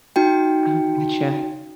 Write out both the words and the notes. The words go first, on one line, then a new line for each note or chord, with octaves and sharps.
Oh, gotcha.
D#4 F#4 G5